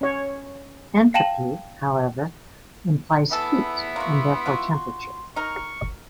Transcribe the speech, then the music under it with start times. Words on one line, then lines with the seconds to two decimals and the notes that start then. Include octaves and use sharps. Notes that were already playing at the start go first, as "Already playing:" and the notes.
Entropy, however, implies heat and therefore temperature.
0.01 C#4 C#5
1.14 F5 G5 A5 E7 F#7
3.32 E3 B3 E4 A4 E5 B5
3.96 A#3 F#4 C6
4.46 F4 F#4
5.36 D#4 A#4 C#6